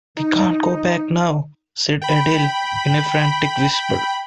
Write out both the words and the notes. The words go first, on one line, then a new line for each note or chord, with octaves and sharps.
"We can't go back now," said Adele in a frantic whisper.
D#4
G5 B5